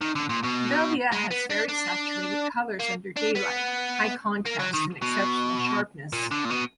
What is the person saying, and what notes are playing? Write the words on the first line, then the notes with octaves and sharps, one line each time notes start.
Velvia has very saturated colors under daylight, high contrast, and exceptional sharpness.
D#3
D3
A#2
B2
G#3
B3
D4
D4
A#3
D4
B3
A#3
F#3
D#3
B2
A#2
D3
A#2
B2